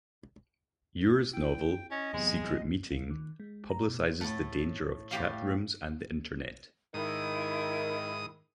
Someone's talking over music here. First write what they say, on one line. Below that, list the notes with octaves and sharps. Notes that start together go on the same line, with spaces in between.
Ure's novel, "Secret Meeting", publicises the danger of chat rooms and the internet.
E4 G5
C#4 D#5
E2 G#2 C3 F#3 G#3 B3
D2
D#3
G#3
A#5
B2
A2 A3
A2 G4 F5
G#2 D#3 E4 D#6